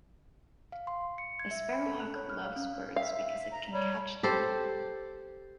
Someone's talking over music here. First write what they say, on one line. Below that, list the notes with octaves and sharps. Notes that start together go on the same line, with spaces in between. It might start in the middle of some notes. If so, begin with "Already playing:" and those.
The sparrowhawk loves birds because it can catch them.
F5
C6
C#7
G#6
E5
B5
A4
F#6
C#5
F6
F5
C#4
E5 F5
A#5
G3 C#5
G4 A4 C5